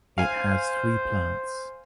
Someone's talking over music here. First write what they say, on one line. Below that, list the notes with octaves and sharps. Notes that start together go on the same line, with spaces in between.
It has three plants.
C5 F5 G#5